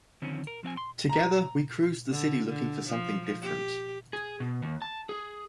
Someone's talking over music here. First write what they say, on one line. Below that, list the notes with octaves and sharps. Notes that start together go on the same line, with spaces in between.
Together, we cruised the city looking for something different.
D3 D#3 F3 C4 C#4
A#4
F3 C4 F5 G#5
C6
A#5
D3
D3
F3
G4
G#4
B2
D#2
A5
G#4